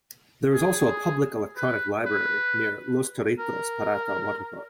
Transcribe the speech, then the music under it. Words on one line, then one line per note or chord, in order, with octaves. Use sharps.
There is also a public electronic library near Los Chorritos Pirata water park.
G#4
B4
B4
A#4